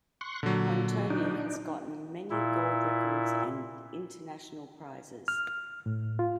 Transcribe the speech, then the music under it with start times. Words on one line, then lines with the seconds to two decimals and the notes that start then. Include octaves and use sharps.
Pontoni has gotten many gold records and international prizes.
0.21 C6 C#6 F#6
0.43 A#2 D3 F#3
1.10 D4 D#4
2.30 A#2 E4
5.28 F6
5.86 A2
6.19 F4